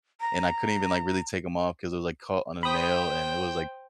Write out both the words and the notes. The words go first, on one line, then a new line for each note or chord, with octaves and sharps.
and I couldn't even, like, really take 'em off 'cause it was like caught on a nail, and it was, like,
A#5
C5 G5 B5 D#6